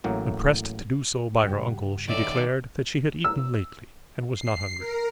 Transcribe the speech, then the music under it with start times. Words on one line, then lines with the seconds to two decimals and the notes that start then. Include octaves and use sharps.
When pressed to do so by her uncle, she declared that she had eaten lately and was not hungry.
0.04 A1 A2 F#3 A#3
1.43 G2 C#3 F#4 G4
2.08 D#2 A4 C#5 D5 E5
3.24 E6
4.35 C7
4.79 A#4